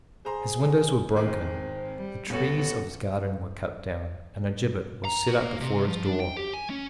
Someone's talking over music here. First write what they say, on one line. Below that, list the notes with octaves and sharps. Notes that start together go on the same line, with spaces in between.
His windows were broken; the trees of his garden were cut down; and a gibbet was set up before his door.
G#4 C5 A#5 C6
G#1 D#3 G#3 C4
G3
D#1 B3 F#4 A4 C#5
A#5
F#4
A#3
C3
F3
D4
G5
G4
G#5
C#4